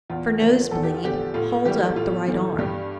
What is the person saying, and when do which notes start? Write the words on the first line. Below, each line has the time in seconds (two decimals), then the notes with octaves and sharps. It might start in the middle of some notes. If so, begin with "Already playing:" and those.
For nose-bleed, hold up the right arm.
0.10 E2 F4
0.40 D3 F3
0.71 E2 A4
0.83 G4
0.94 F4
1.03 D3 F3 G4
1.34 A2 F4
1.65 E3 G3 G4
1.96 A2 F4
2.28 E3 G3
2.58 G2 G4